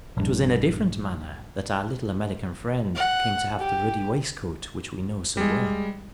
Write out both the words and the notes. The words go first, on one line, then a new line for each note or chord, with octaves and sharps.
It was in a different manner that our little American friend came to have the ruddy waistcoat which we know so well.
A#1 G2
F#5
G4
G3 G#3